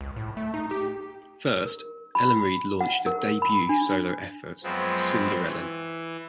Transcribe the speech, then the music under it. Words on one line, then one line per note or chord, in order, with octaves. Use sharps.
First, Ellen Reid launched her debut solo effort, "Cinderellen".
C#2
A2
A3
D#4
G4
A#4
B5
F#5
A#4
B5
D4
F#2 F3 G#3 B3 C4
E3